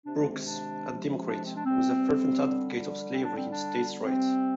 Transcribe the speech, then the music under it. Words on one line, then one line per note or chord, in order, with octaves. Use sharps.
Brooks, a Democrat, was a fervent advocate of slavery and states' rights.
C3 D#3 G#3 D4
D4
C4
D4
C3 F3 G#3
D4
C4
D4
C3 G3 C4
D3 G3
C4
D3 G3 D4
C4
D4
C3 G3 C4